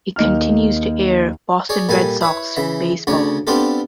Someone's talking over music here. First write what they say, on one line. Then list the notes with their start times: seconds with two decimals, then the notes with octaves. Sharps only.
It continues to air Boston Red Sox baseball.
0.16 D#2 D#4 F6
1.69 G#4 C#5 D5
1.89 A#2 G3 A4 G#5
2.21 E4 B4 C#5
2.56 C#3 E3 E5
3.07 D2 C#3 C#5 D5
3.47 B3 C4 D4 F4 G4 A4